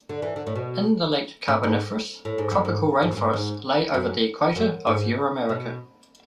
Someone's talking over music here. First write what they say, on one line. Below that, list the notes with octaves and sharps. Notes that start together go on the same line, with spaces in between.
In the Late Carboniferous, tropical rainforests lay over the equator of Euramerica.
D3
E3
D3
A2
B2
A2
G#2
A2
G#2
F#2
G#2
G#2
F#2
G#2
G#2
F#2
F#2
G#2
B2